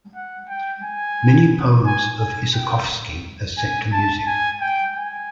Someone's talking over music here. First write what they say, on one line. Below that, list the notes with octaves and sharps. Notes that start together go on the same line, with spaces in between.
Many poems of Isakovsky are set to music.
F#5
G5
G#5
G#5
G#5
G5
G#5
A5
G#5
G5
G#5